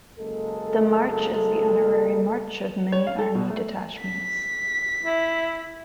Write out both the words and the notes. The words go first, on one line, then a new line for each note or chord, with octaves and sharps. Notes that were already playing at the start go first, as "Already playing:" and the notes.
The march is the honorary march of many army detachments.
F#1 G#3 A#3 A4
C#5
F5
A4
B2
A3
B6
E4